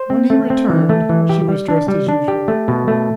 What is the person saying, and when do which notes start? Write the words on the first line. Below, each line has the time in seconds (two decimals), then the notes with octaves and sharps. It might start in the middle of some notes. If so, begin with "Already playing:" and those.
When he returned she was dressed as usual.
Already playing: C5
0.10 C4
0.30 A3
0.50 C4
0.70 E3
0.89 A3
1.09 E3
1.29 G4
1.49 G3
1.68 D4
1.88 G3
2.08 D4
2.28 G4
2.48 A3
2.68 B2
2.88 A3